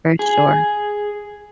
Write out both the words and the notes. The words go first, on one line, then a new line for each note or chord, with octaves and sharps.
For sure.
G#4